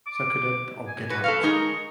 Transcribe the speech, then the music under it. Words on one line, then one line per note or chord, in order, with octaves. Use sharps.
Suck it up, or get out.
D6
G#5
F#4 B4
A4 B4 F5 C#6
G#3 D#4 A#4